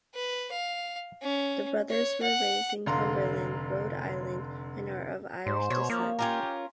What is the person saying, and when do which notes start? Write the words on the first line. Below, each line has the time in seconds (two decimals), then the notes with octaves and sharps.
The brothers were raised in Cumberland, Rhode Island and are of Irish descent.
0.15 B4
0.52 F5
1.22 C#4
1.89 C#5
2.22 F#5
2.86 F1 D3 F5 A#5 C6
5.47 G#2 C5
5.70 B2 C#5
5.90 F3 A#3
6.19 C#4 F4 G4 A#4